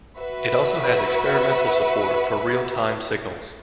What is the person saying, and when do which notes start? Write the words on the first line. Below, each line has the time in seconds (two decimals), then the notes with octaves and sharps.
It also has experimental support for real-time signals.
0.18 F#4 B4 E5